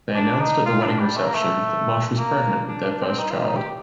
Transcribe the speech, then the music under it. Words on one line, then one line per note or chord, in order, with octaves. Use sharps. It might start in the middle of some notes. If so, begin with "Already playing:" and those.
They announced at the wedding reception that Marsh was pregnant with their first child.
D4
D#4
F4
D4
G3
A3
A#3
A3
A#3
D4
D4
C4
D#4
F4
D#4
G4